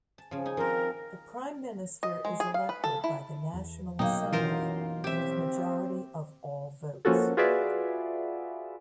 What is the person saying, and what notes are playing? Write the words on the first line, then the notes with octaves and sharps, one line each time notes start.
The Prime Minister is elected by the National Assembly with majority of all votes.
A5
C#3 F3
D#4 G#5
F3 C4 A#4
D#5
G#3
G#4
F5
B4
A4
E4
E2
B1 B2 A#3 D#4 F5 G5
F#2 E3 F4 A#4 C5
C4 G4 E5
F3 A#3 C#4 F4 F#4 A4
F4 F#4 G#4 B4 D5 E5